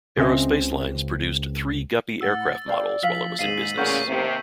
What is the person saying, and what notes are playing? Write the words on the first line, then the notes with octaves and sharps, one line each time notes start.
Aero Spacelines produced three Guppy aircraft models while it was in business.
C#2 C#3 C4 D#5 E5
A2 F#5 E6 A6
C5 D5 F5 G5
F3 F5 E6 B6 F#7
D#2 G#2 G#4 F5 C7 D#7 F#7
A1 A#2 C#3 A#4 C5 F#5 C#6 G6
D#2 C3